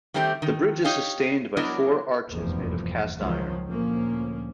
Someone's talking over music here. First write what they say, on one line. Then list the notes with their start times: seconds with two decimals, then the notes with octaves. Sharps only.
The bridge is sustained by four arches made of cast iron.
0.14 D#3 G3 A3 C4 G4
0.42 D#3
0.84 D#4 G4 C#5 F5
1.57 F#3 B3 D4 E4 A#4 D#5
2.30 F1 E2 G2 B2 F3 A#3
3.19 C#2 D#3 F3 F#3 G#3
3.69 D2 A#2 F3 A#3 C#4